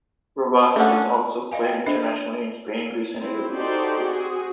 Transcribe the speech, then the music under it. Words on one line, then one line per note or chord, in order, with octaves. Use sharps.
Rivas has also played internationally in Spain, Greece, and Italy.
A3 C#4 D4 A4 F#5
D5 D#5 F5 G#5
G5
D4 A4 C5 D#5 E5
E5
C4 E4
D#4 F#4 G4 A4 C5 D5
C4 F#4 G#4